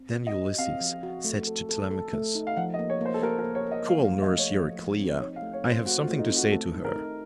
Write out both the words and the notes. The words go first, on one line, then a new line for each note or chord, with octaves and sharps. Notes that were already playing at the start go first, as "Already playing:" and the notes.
Then Ulysses said to Telemachus, "Call nurse Euryclea; I have something to say to her."
Already playing: C4
F#4
D#5
F#4
C4 F5
F3
F#4
A3
A4
A4
A4
A3
D#4
F5
F3 F#5
D#5
A#3
C#5
A#3 C5
A4
A#3 A#4
A#4
A#3
C#5
A#4 D#5
F3 F5
F5
F3
D#5
A3
C#5
F3
F3
C4
D#4 C#5
F5
A3
C#5
C4
C5
A3 F#4
F4
A3
D#4
C4
F#4
A3 A4
D#4
A#4
D#4